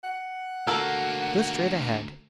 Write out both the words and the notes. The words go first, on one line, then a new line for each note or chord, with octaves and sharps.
Go straight ahead.
F#5
D2 A#3 F#4 A4 A#4